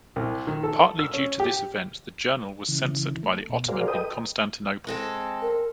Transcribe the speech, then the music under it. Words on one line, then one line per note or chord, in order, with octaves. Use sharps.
Partly due to this event the journal was censored by the Ottoman in Constantinople.
C2
D#3
A4
E6
C#4
G4
C#3 E3
A3
B2
F#4 G#4 A#4 C5 D5 F5
A4 B4 D#5 G5 D#6
G#3 C4 A4
A#4